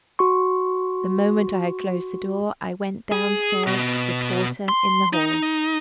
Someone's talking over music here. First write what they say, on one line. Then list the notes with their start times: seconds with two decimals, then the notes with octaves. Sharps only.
The moment I had closed the door, I went downstairs to the porter in the hall.
0.19 F#4 C6 C#6
3.12 G#4
3.67 B2
4.69 C6
5.13 D#4